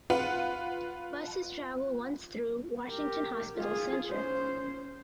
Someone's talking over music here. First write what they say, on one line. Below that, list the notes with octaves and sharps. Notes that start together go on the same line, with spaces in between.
Buses travel once through Washington Hospital Center.
F4 B4 F#5
G4 A#4
F4 G#4
C#4 C5